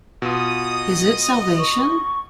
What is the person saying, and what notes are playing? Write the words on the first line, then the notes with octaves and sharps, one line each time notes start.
Is it salvation?
B2 F4 D#6
D#5
C#6